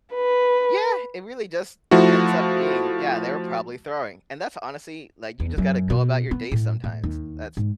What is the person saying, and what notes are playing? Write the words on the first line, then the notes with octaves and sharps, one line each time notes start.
Yeah, it really just ends up being, "Yeah, they were probably throwing." And that's honestly, like, you just gotta go about your day sometimes. That's
B4
F3 A3 E4 F#4
E2
F#2
B2
B3
A2
A2
D#2
G#2